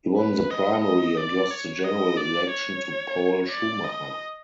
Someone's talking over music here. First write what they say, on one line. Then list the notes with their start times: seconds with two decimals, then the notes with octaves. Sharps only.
He won the primary and lost the general election to Paul Schumacher.
0.17 B4
0.51 D#5
0.84 D#5
1.17 D5
1.51 C#5
1.84 D#5
2.17 D5
2.51 C#5
3.50 D5
3.84 D#5